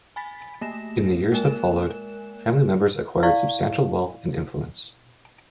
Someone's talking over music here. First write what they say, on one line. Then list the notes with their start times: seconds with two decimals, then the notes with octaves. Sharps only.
In the years that followed, family members acquired substantial wealth and influence.
0.16 G#5 B5 A6 B6
0.61 A3 A#3 A#6 E7
1.32 G#3 A#3 A#4 G#5 F#6 E7
3.23 E4 D5 F5 C#6